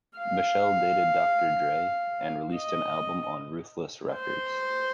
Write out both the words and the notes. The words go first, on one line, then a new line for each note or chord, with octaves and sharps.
Michel'le dated Doctor Dre and released an album on Ruthless Records.
F5
D#5
C5